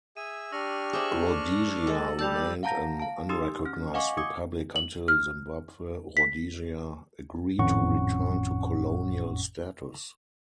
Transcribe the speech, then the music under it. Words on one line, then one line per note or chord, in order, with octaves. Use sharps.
Rhodesia remained an unrecognised republic until Zimbabwe Rhodesia agreed to return to colonial status.
G#4 E5 E6 D#7
D4 G4 C#6 E6 F6 A#6
G#4 C5 E5 D6 F#7
G#3 A4
G3 A5 E6 G6 F7
F5 F#5 A5 A#5 G6 A#6
F5 A5
D#4 G4 C6 D#6 E6
C#4 F6
D#5 F5 F#5 G#5 C#6 D6
D6 D#6 G#6 C#7
F#7
F6
B6
G#1 F2 A2 C#4 F#5 C#6